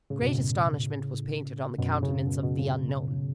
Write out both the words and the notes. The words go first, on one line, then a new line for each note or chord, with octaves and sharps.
Great astonishment was painted on the countenance of the unknown.
A2 C#3
F#2 B2
A2 C#3
F#2 B2
A2 C#3
F#2 B2
F#2 B2
A2 C#3